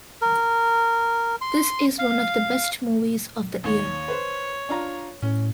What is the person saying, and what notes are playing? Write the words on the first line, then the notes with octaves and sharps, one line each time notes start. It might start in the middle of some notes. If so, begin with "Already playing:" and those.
This is one of the best movies of the year.
A#4
C6
F5
D#2 C#5
B4 C5
D4 F4 A#5
A2 C#4